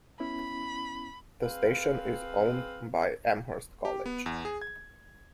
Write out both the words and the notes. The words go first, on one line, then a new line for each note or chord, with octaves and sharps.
The station is owned by Amherst College.
B3 C#4 E4 B5
C4 G#4 B4 F5
G4
B3
E2
G#4
G#6